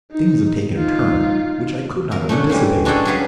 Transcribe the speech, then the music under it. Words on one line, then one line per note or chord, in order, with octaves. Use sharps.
Things have taken a turn which I could not have anticipated.
D#4
D#4 F4
A#4
A3 C#4 D4 F#5
A2 E3 G3 G#3
G#3 D4 F#4 G#4 A4 G5
F#3 C#4 G4 G#4 B4 F5